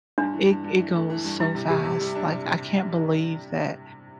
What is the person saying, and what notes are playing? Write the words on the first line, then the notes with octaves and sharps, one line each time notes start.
it it goes so fast, like, I can't believe that
G2 D4
E3
G2
G2
E3
A3
E3
G2
G3 E4
C3
C3 G4
C3
G3
D4
C3
C3